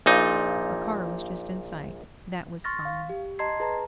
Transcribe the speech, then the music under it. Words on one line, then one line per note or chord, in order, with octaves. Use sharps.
A car was just in sight--that was fine!
A#1 A#2 D#4
C6 C#6 F6 A6 A#6
F5
G4
D#5 A5 A#5 C6 G#6 C7
G#4 B4 A5 A#5